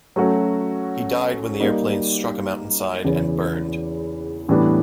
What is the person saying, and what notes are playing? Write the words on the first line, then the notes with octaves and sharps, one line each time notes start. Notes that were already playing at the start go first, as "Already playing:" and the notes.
He died when the airplane struck a mountainside and burned.
F#3 A3 C#4 F#4
G3 A#3 D#4
E2 C#3 E3
A2 E3 G3 B3 D4